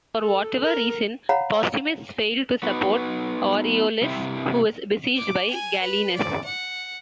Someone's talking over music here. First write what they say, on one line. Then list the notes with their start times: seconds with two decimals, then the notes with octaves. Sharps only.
For whatever reason, Postumus failed to support Aureolus, who was besieged by Gallienus.
0.20 A4
0.63 A#4
1.29 C#5 F5 F#5 A#5 B5
2.63 B3 D#4 F#4 B4
4.02 G2 C3 E4 G4
5.17 D6
5.50 G#5
5.81 B4
6.15 D5
6.44 F#5